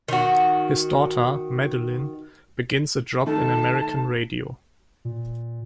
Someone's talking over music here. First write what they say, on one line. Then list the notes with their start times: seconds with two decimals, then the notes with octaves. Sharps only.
His daughter, Madeline, begins a job in American radio.
0.08 D#3 F#4
3.27 D#3 A3 A5
5.05 A#2